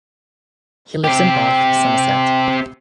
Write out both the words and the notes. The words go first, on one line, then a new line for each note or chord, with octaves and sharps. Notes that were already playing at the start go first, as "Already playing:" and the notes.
He lives in Bath, Somerset.
C4 G4